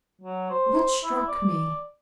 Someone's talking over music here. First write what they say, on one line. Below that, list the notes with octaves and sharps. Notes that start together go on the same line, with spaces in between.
What struck me?
F#3
C5
E4
D5